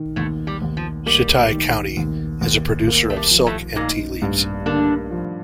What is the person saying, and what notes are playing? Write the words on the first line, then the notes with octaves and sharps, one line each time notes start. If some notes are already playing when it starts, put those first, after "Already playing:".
Shitai County is a producer of silk and tea leaves.
Already playing: D#3
D#2 A2 A3
G3
D#2
F3
G3 A#3
D#3
D#2
D#2
A#3
A3
G3
F3
A2 A3
A#2 A#3 D#4
G2
D3 A#3 D4
F3